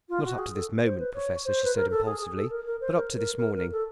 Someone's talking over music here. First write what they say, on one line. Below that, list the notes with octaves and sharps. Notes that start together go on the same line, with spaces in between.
"Not up to this moment, Professor," she said impulsively, "but up to this morning."
F4
F#4
G#4
A4
C5
B4
C#5
C5
B4
A#4
A4
G#4
G#4
A4
A#4
A#4
C5
A#4
A#4
A#4
A#4
A4